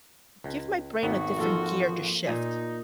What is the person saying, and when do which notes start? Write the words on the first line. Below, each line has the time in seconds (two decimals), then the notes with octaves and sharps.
give my brain a different gear to shift.
0.44 C#2
1.03 G#1 D#2 B3 F#4
1.37 F3 A#3 F4 A4
2.27 A#2 D#4 G#5